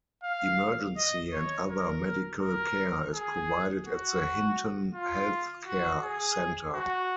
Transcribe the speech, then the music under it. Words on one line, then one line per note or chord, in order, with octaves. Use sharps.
Emergency and other medical care is provided at the Hinton Healthcare Centre.
F5
D#5
C#5
A#4
A#4
G#4
F#4
F4
F#4
G#4
F#4